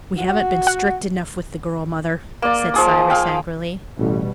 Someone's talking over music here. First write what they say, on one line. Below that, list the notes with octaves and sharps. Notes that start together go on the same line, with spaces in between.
"We haven't been strict enough with the girl, Mother," said Cyrus angrily.
F#4
F#5
A#3 D5
F3 G#4 D#6
G#4 F5 G5
A1 B2 G3